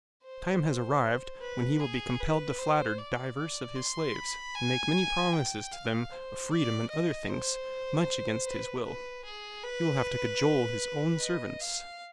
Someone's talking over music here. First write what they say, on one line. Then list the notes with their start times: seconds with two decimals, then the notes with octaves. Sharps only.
The time has arrived when he will be compelled to flatter divers of his slaves, and make many promises to them of freedom and other things, much against his will--he will have to cajole his own servants.
0.24 C5
1.41 B4
1.80 G#4
2.20 B4
2.58 C5
2.99 D5
3.37 D5
3.76 C6
4.15 B5
4.55 G#5
5.33 G5
5.72 F5
6.12 C5
6.51 D5
6.89 D#5
7.29 C5
8.47 B4
8.85 B4
9.25 G#4
9.63 B4
11.21 D#5
11.60 F5